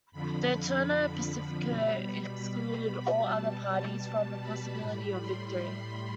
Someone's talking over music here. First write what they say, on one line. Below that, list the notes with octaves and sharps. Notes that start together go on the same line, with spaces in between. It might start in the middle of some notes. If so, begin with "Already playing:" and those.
The Turno Pacifico excluded all other parties from the possibility of victory.
F2 D3 F3 B5
B5
B2 G3
B5
B5
B2 G3 A5
A5
B5
A2 G3 B5
C6
C6